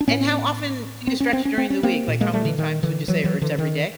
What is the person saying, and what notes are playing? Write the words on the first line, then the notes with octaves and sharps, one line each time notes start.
And how often do you stretch during the week? Like, how many times would you say, or it's every day?
D4
A2 B3 C#4
C4
C#4
C4
C#4
C4
C#4
A#3 C4
A#2
G#3 A#3
G3 A3
D3 E3
D#3
D3 E3
E3 F#3
E3 F#3
D3 E3
D#3